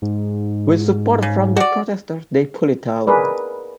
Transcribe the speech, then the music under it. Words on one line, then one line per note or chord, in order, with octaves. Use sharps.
With support from the protesters, they pulled it down.
G#2
C#3
F#4 D5
G#4 A#4 B4 D5